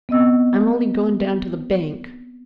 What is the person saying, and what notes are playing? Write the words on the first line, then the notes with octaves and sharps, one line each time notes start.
"I'm only going down to the bank."
B3 C4 D#5 E6